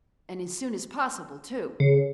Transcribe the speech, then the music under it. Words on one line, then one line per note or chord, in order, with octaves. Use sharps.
"And as soon as possible, too."
C#3